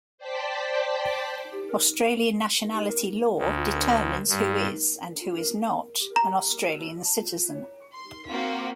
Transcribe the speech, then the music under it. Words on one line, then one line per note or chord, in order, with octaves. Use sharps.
Australian nationality law determines who is and who is not an Australian citizen.
C5 D5 G5 A5 B6
D2
G2
A#5
C6
A#3 C4 F4 F#4 B6